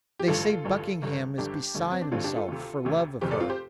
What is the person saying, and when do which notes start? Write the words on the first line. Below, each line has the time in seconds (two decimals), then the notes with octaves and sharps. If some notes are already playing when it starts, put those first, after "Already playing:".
They say Buckingham is beside himself for love of her.
0.19 G4
0.28 A1 G2 D3 F4 A4
0.64 A1 G2 D3
1.02 G1 G2 D3
1.38 G1 G2 D3 D4 G4
1.75 A1 G2 D3
1.92 C4
2.02 D4
2.11 A1 G2 D3 C4 F4
2.24 D4 G4
2.36 F4 A4
2.48 D2 C3
2.85 D2 C3
3.21 F1 F2 C3 G4 C5
3.31 A4 D5
3.40 C4 F4
3.50 G4 C5